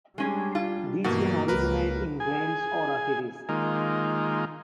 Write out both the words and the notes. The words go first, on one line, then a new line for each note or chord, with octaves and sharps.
These can originate in veins or arteries.
G3 G#3 C#4 D4 G#4
F4
G2 B2 E3 A#3 F#4
C#2 A#4 B4
G#4 G#5
D#3 G#3 A#3 D#4 F4